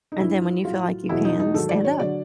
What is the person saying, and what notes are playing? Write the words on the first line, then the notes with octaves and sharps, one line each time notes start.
and then, when you feel like you can, stand up
D#4
G2 E3 E4
A2 F#3 F4
E2 B2 F#3 E4
D#4
D#4
G#2 D#3 F#3 A4
D5
C#5
D3 F#3 D5